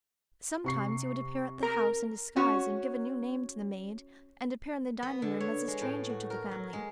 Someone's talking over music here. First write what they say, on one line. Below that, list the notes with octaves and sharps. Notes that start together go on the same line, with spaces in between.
Sometimes he would appear at the house in disguise and give a new name to the maid and appear in the dining-room as a stranger to the family.
C3 C#6 C7
A#4
C#4 F#4 C#5
B3
D3
C#5
G#3
A2
F#4
A#4
F#3
G#3